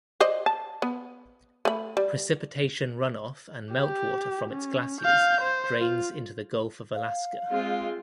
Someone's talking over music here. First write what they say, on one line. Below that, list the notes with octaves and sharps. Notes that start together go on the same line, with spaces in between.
Precipitation runoff and meltwater from its glaciers drains into the Gulf of Alaska.
C5 D5 D#5
A5
B3
A3 B5
G3
G4
C#4
F5 G6
C5
F4
F5
G#3 C4 F4